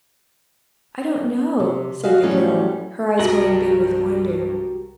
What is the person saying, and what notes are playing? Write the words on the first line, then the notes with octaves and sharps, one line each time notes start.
"I don't know," said the girl, her eyes growing big with wonder.
C3
F#4 G#4 D#5 F5
A2 E3 F#3 G3 A3 C#4
C2 G2 G#3 F#4 G4 A#4